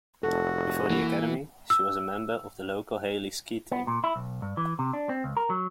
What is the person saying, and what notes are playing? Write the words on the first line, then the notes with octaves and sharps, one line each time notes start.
Before the academy, she was a member of the local Hailey Ski Team.
F1 F#4 A4
E3 A#3
E6
B3
A#2
E4
B1
G2
E3
C3
D4
C4
C#2
A#4
F#3